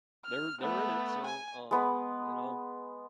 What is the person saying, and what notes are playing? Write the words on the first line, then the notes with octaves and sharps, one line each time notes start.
they're they're in it. So, um, you know?
F6
A3 B3
G#5
G#3 B3 B4